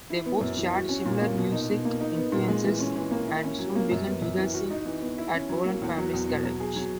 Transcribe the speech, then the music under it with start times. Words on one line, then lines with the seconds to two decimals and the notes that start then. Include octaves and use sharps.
They both shared similar music influences and soon began rehearsing at Bolan family's garage.
0.10 E4
0.26 B3
0.41 F#2
0.57 E3
0.74 F#4
0.89 C#4
1.06 A#2
1.21 A#3
1.37 B2
1.52 D#4
1.69 B2
1.85 A#3
2.01 D#4
2.17 B3
2.32 A#2
2.48 G#3
2.64 E3
2.80 C#4
2.95 E3
3.11 A#3
3.27 E4
3.44 C#4
3.59 F#3
3.75 A#3
3.91 F#2
4.07 B3
4.22 F#2
4.38 E3
4.54 F#4
4.70 D#4
4.85 E3
5.01 B3
5.18 E4
5.34 C#4
5.49 F#3
5.65 A#3
5.82 E2
5.97 F#3
6.14 E2
6.29 B2
6.45 F#3
6.60 G#4
6.76 F#3